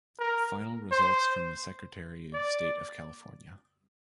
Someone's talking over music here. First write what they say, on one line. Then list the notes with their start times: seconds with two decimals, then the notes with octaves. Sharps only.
Final results from the Secretary of State of California.
0.19 A#4
0.91 C5
2.33 D5